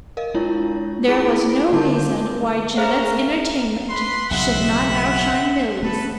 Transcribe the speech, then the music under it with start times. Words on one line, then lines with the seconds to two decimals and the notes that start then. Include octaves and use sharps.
There was no reason why Janet's entertainment should not out-shine Milly's.
0.17 A#4 D#5 F5
0.34 G#3 D4 E4 F4 C#5
1.08 E4 F4 G#4 B5 D6 D7
1.73 D3 G3 A#4 A5 D6 G6
2.77 C#4 G#4 A#4 C5 E5 F5 A#5
3.90 B4 B5 C6
4.31 B1 C#3 E5 F#5
5.83 A3 B3 A4 B4